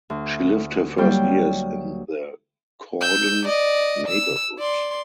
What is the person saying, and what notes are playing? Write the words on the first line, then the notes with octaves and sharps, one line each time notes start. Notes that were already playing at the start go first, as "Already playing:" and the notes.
She lived her first years in the Cordon neighbourhood.
D2
F#3 G3 A#3 G5
E6 G6
D5 D#5
E6
D5 C6